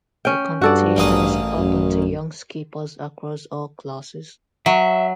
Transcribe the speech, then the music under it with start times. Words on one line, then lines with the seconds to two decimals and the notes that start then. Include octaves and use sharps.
The competition is open to young skippers across all classes.
0.25 C#4 G5
0.62 G2 F#4 A4 D5
0.97 A1 A#3 D#6
1.57 F#2
4.66 F#3 E5